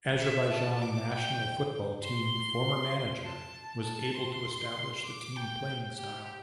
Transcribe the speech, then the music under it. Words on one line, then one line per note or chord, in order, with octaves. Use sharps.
Azerbaijan national football team former manager was able to establish the team playing style.
E5
A5
D6
G5
C6
A5
A5
C6
D6
G5
G4